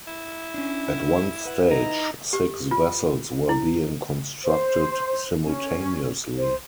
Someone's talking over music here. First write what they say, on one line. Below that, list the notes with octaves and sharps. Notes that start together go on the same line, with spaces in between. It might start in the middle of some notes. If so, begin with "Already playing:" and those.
At one stage, six vessels were being constructed simultaneously.
E4
C#4 D4
B4 F#5
D#4 A#5
G4
F4
E4
C5
C#4
C5